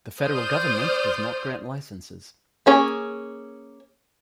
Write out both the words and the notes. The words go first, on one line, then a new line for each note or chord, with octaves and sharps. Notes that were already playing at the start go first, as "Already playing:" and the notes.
The federal government does not grant licenses.
C5 D5 D#6 F6 G6
A#3 C#4 G#4